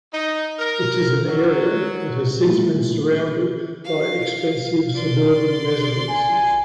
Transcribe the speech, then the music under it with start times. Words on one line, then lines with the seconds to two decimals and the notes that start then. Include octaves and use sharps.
It is an area that has since been surrounded by expensive suburban residences.
0.13 D#4
0.59 A#4
1.26 F#3
2.45 A#2 G3 A3 E4
3.85 F5
4.94 D5 C6
6.09 G#5